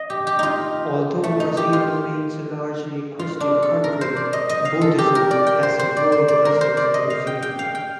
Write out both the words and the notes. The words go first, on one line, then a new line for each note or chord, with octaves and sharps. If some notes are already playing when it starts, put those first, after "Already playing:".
Although Brazil remains a largely Christian country, Buddhism has a growing presence in Brazil.
Already playing: D#5
G4
G4
D#4 F4
A3
D#4
G4
F4
F4
D4
A4
A#4
C5
D5
D#5
D#5
F5
A4
G4
A#4
D5
G5
C5
C5
D5
C5
D5
A#4
C5
D5
D#5
F5
G5
G5
F5
G5